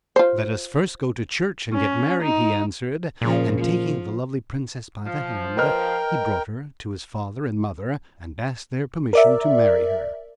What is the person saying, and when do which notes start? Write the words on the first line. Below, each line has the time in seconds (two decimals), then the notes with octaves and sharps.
"Let us first go to church, and get married," he answered, and taking the lovely princess by the hand, he brought her to his father and mother, and asked their permission to marry her.
0.16 F4 C5
1.74 C#4
2.23 D#4
3.22 A#2 C#3 F3
3.59 F3
5.05 F3
5.57 A#4 B4 D#5 G5 F6
9.13 A#4 D5 E5